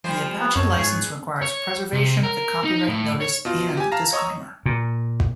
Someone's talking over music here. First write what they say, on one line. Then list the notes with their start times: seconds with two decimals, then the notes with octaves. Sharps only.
The Apache License requires preservation of the copyright notice and disclaimer.
0.04 F3 G3 C5
0.40 B3
0.56 F#2 B2 C#5
0.77 G#2 B3 G#4
1.42 C#5
1.93 C3
2.23 A#4
2.64 D#4
2.88 A2
3.21 C#5
3.45 B2 F4
3.77 G4 G#5
3.92 F5 A5 A#5 A#6
4.13 C#5 D#5 A#5 C#6 D#6 E6
4.66 A#2